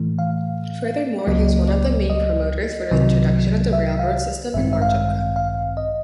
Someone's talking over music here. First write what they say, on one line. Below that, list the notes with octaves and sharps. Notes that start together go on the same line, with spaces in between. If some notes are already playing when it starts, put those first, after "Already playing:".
Furthermore, he was one of the main promoters for the introduction of the railroad system in Majorca.
Already playing: A2 E3 A3
F5
D5
C#2 C#3 F#3 A#3 D#5
D5
D#5
C2 C3 D#3 F#3
E5
F5
A1 G2 D#3 G#3 C4 E5
E5
F5
F5
F5
D#5